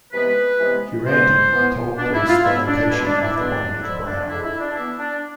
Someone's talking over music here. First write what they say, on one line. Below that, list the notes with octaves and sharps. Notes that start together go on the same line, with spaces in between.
Durante told police the location of the body of Brown.
C3 E3 G#3 B3 B4
C3 E3 G#3 B3
E3 G#3 B3 C5
E3 G#3 B3
B2 B3 D4
E4
F4
B2 B3 E4
D4
B2 G#3 B3 E4
D4
E4
B2 G#3 B3 D4
D3 F3 G#3 E4
D4
D3 F3 G#3 E4
E4
D4
E3 B3 E4
D4